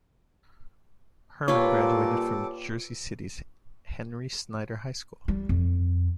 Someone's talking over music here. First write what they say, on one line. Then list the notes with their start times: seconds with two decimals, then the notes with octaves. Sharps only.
Herman graduated from Jersey City's Henry Snyder High School.
1.48 A#2 G3 F4 A4 B4 C#5 D6
5.28 G3
5.49 F2